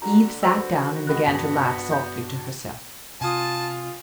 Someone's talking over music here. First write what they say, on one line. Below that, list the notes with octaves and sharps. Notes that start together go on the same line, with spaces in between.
Eve sat down and began to laugh softly to herself.
D3 F#4 A#5
F#4 B4 C5 E6 A#6 F7
D#3 F#5 B5 F#6
G2 B3 C6 B6
E5 G6
C3 F4 G#5 A5 D#6